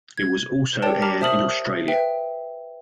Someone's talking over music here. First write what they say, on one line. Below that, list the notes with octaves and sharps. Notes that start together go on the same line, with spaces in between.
It was also aired in Australia.
G#6
G4 A#4 C#5 D5 G5 A5
A5 A#5 D6 F6
C5 E5 A5 D#6 F6 F#7
B4 E5 G5